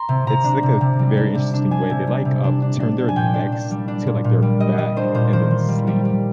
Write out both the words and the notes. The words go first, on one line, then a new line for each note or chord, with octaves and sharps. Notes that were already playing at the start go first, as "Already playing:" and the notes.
it's, like a very interesting way, they, like, um, turn their necks to, like, their back and then sleep.
Already playing: A#5 C6
C3
C3 A#5
D4
C3
C3
G3
D4
C3
D4
D4 G#5
C3
G3
C3
D4
D4
D4
D4
G#5
A#2 G5
D4
D4
G3
D4
A#2
A#2
G3
G3 D#5
G3 D#5
D4 C5
A#2 C5
D#3 C5
D#3
G3
G3
G3